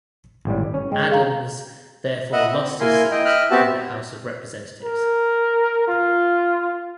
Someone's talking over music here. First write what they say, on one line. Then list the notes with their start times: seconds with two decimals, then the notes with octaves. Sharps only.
Adams therefore lost his seat in the House of Representatives.
0.45 G#1 A2 G3
0.74 C#4
0.92 G#3 G5
1.09 G#4 F5 A#5
2.33 D#5 E5 F#5 B5
2.52 C4
2.80 A#3 E4 A#4 G#5 C6
3.11 E4 D#5 G5
3.25 D#5 E5 G5 F6 F#6
3.51 B3 C4 F#4 G4 E5 A5
4.83 A#4
5.88 F4